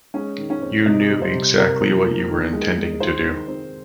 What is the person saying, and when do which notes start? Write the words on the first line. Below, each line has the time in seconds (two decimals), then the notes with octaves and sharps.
You knew exactly what you were intending to do.
0.14 G#3 C#4
0.38 D#3
0.50 C#4
0.62 C4
0.85 C3 D#4
1.10 G3
1.22 C5
1.33 C3
1.57 C3 A#4
1.81 F3
2.04 A#3
2.28 D#3
2.53 G#3
2.77 G#3
3.00 D#3 C5
3.24 D#3
3.48 C4